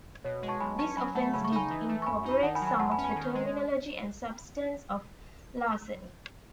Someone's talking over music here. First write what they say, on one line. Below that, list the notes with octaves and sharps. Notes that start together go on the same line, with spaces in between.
This offence did incorporate some of the terminology and substance of larceny.
B2 C#5
G#3
A5 C#6
B1 G#5 B5
C#4 A5 C#6
F#3 G#5 B5
A3 F#5 A5
C#3 B5
C#6
D#4 G#5 B5
E3
A3
C#6
F#2 G#5 B5
D#4
B5
D#3 F#5 A5
G#5 B5
F#3
G#5 B5
E2 F#5 A5
G#5 B5
C#4
G#5 B5
D#3
G#3